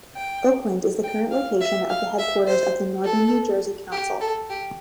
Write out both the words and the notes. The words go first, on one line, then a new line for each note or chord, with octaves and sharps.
Oakland is the current location of the headquarters of the Northern New Jersey Council.
G5
G5
F5
E5
F5
E5
C5
A4
G4
A4
G4